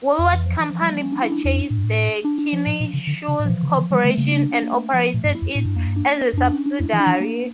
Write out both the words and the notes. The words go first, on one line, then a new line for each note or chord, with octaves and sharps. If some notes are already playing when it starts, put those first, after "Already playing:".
Woolworth Company purchased the Kinney Shoe Corporation and operated it as a subsidiary.
F2
E3
F3
E3
F3
G3
A#3
C#4
D4
E4
D4
E2 D4
F2
A2
G2
A2
D4
D4
F3
A2
A#2
C#3
D3
C#3
A2
F3
A#2 E3
C#3
F3
D3
E3 G3
D3 A3
C#3 A#3
D4
D4
A#3
A3
F3
A#2 A3
A2
G2
E4
F2
A2 D4
G2
F2 A#3
G2
D4
G2
F2 D4
C#4
D4
F2 E4
E3
D4
E3
A#3